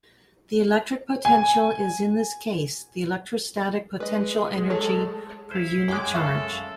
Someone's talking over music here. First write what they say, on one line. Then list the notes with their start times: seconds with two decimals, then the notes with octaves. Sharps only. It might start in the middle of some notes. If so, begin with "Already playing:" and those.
The electric potential is in this case the electrostatic potential energy per unit charge.
1.25 G#5
4.00 G#3 B4 D#5
4.70 F#3 A3 A4 C#5
5.51 E4 C5 F5
5.88 F#2 G#3 G5 D6
6.14 A4 E5 F5 C#6